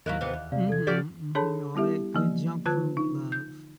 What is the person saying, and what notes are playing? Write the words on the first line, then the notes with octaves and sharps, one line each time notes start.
Mhm, mhm, all that good junk food we love.
D#2 F#3 E4 A#4 D#5 F5 F#6
C3 E3 B3
E2
C3 D5 F5
A4 G#6
F3 F#4 G4 D5 F6 A6
D4 G#4 A4 C#5 A5 B5
G3 B3 E4 G4 E5
E3 F3 A#3
D3 F4 B4 A5 F#6 G#6
D#4
G6